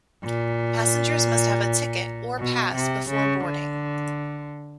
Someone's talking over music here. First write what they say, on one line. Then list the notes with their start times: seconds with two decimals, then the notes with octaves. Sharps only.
Passengers must have a ticket or pass before boarding.
0.24 A#2
2.38 B2
2.75 C3
3.10 C#3
3.46 D3